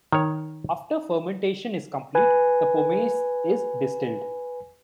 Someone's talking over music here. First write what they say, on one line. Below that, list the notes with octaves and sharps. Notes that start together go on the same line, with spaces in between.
After fermentation is complete, the pomace is distilled.
D#3 C#5
B4 G#5